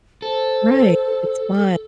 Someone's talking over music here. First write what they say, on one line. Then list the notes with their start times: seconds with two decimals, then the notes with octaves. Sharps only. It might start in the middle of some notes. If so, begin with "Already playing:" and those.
Right. It's fun.
0.22 A4 C5